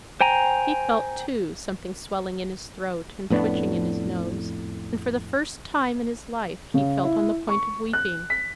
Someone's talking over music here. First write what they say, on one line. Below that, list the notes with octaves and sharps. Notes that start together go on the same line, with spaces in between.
He felt, too, something swelling in his throat and twitching in his nose, and for the first time in his life he felt on the point of weeping.
C5 G5 G#5 A#5
F2 A2 B3 D4
C#3
E4
C#6
F#6
B6